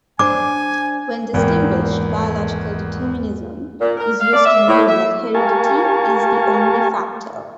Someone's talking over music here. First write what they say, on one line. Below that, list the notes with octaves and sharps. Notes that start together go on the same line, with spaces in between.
When distinguished, biological determinism is used to mean that heredity is the only factor.
D4 C5 G#5 D6
G#1 E2 E3 A#3 G5
A#2
A#4
F5
D5
E5
A2
E5
G4 A#4 F5 G#5 A5 C#6